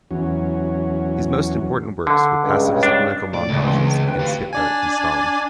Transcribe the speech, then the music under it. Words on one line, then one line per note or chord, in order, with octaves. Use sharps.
His most important works were pacifist political montages against Hitler and Stalin.
E2 F#3 C#4
D3
C#2 G2 C#3
D4
A2 D5
C#2
E3 C4 C6
D2 B4 G5
G4 F5
D4 D5 G#5